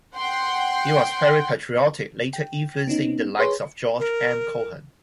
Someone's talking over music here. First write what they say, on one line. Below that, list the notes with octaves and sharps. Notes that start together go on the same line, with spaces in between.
He was very patriotic, later influencing the likes of George M. Cohan.
F#5 G5 C6
G5
B3 C#4 D#4
G#4 B4 C#5 C6
A#4